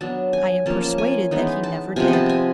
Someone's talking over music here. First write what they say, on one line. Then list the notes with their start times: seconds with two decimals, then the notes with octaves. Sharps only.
"I am persuaded that he never did."
0.01 F#3 B3 D4 A5
0.33 G#5
0.66 F3 A#3 C#4 A5
0.82 A5
0.98 G#5
1.31 E3 G#3 B3 D#4
1.63 A5
1.96 C3 F3 G#3 B3 G#5
2.08 G#5
2.13 A5
2.29 G#5